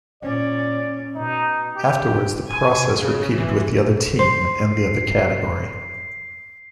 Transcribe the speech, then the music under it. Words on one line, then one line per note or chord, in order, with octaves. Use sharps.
Afterwards, the process repeated with the other team and the other category.
A#2 C#4 D5
B2 D#4
G4
G#5
C#3
E3
C5 C6 C7